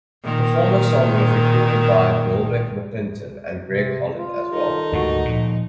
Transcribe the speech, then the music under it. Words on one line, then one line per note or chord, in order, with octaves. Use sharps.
The former song was recorded by Delbert McClinton and Greg Holland as well.
A#2 D#3
C3
F4
D#3 G3 D#4 A4
D2 G#2 F#4
A#2 F3